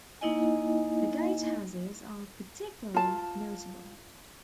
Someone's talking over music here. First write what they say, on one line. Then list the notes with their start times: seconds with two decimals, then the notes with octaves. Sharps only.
The gatehouses are particularly notable.
0.21 A#3 D#4 E4 D#5 G#5
2.94 F4 A5